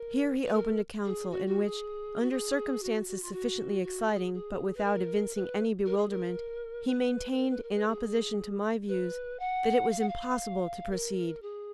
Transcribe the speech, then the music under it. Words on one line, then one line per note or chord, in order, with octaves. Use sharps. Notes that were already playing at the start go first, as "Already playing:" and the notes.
Here he opened a council in which, under circumstances sufficiently exciting but without evincing any bewilderment, he maintained, in opposition to my views, that it was impossible to proceed.
Already playing: A#4
B4
A#4
G#4
F#4
F#4
G#4
F#4
G#4
F#4
F#4
F4
F#4
F#4
G#4
G#4
B4
A#4
B4
A#4
G#4
A#4
B4
B4
A#4
B4
A#4
B4
G#4
B4
F#5
F5
F#5
F5
A#4
G#4